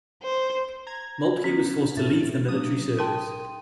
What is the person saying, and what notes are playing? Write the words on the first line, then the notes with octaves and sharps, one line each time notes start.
Moltke was forced to leave the military service.
C5
A#5 G#6
B3 C#4 F4
A2 A6
F#3 A#3 D4 D#6
A#4 G5 A5 C6 D#7